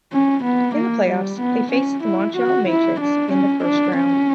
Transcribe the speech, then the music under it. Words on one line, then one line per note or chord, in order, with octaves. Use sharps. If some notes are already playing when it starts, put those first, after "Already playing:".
In the playoffs, they faced the Montreal Matrix in the first round.
C#4
B3
A#3
G3
B3
C#4
E4
F#4
E4
D4
C#4
D4
C#4